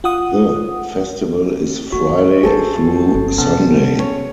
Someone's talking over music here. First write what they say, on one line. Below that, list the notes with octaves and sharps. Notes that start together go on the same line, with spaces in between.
The festival is Friday through Sunday.
F4 F#5 D#6
F#3 A#3 F#4
F#2
G#1 D4 G#4 A4 C5
G1
C3 B3 C#4 A5
C#5